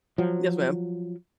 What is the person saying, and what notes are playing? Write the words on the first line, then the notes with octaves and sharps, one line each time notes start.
Yes, ma'am.
F3 F#3